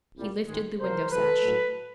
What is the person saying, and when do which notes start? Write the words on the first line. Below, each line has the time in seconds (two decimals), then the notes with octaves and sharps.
He lifted the window-sash.
0.15 C2 A#2 G3
0.47 G#2 D#3 G#3
0.79 C#2 C3 F3 A#4 C5
1.11 E2 B2 G#3 A4 B4
1.43 A2 F#3 A3